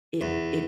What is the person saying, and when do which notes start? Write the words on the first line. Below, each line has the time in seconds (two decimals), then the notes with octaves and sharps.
it it
0.21 E2